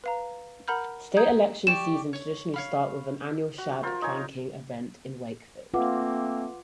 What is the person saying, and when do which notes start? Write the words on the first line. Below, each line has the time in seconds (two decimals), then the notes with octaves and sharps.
State election seasons traditionally start with the annual Shad Planking event in Wakefield.
0.04 B4 F5 A#5
0.68 A#4 F#5 A#5 B5 F6 G6
1.17 A#5 D#6 G6 G#6
1.67 G4 D5 C#6 E7
2.13 C#5
2.54 C#5 F5 B5
3.58 F#4
3.83 F4 A#4 C5
4.02 D#4 C#5 G#5
5.74 A3 A#3 C4 F4 B4 F#5 D6